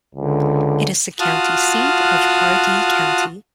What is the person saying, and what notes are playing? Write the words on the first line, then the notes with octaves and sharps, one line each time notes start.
It is the county seat of Hardee County.
C#2 D3
F4 F#4 A5 D#6 F6 F#6